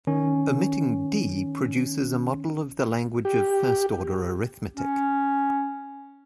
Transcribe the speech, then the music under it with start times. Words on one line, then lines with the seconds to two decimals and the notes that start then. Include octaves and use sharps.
Omitting "D" produces a model of the language of first order arithmetic.
0.07 D#3 C#4
3.25 G4
4.76 C#4